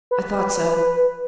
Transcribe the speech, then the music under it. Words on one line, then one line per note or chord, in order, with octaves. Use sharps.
I thought so.
B4